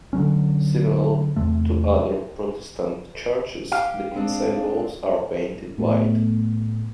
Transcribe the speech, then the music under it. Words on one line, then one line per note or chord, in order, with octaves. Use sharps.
Similar to other Protestant churches, the inside walls are painted white.
D3 D#3 F#3 C#4
E2 C3 A3
G4 F5
G#3 C4 D4
A2 A3 B3